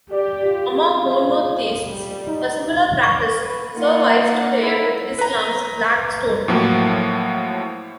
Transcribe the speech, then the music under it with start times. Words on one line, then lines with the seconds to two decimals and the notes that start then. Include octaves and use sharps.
Among monotheists, a similar practice survives today with Islam's Black Stone.
0.12 G4 D5
0.43 F4
0.76 G#4
1.84 G3
2.27 D#4
3.03 C#6
3.38 B4
3.76 A#3 D#4 F4 F#5
4.10 A#5
4.62 E4
5.19 B4 A#5
6.48 A2 F3 F#3 A#3